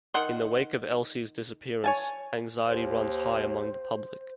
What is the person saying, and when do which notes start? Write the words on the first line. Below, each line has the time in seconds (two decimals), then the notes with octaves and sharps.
In the wake of Elsie's disappearance, anxiety runs high among the public.
0.14 D#3 F#5 C6
1.84 C#5 G#5 A5
2.66 D#2 C5